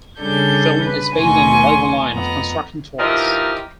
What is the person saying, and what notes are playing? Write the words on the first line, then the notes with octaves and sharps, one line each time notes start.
The film is based on the Lego line of construction toys.
C#3 G3 D4 A4 G6
B4
D#2 B2 A3 G#5 C6 C#6
F2 B3 A#5
E3 F3 D#4 G4 A#4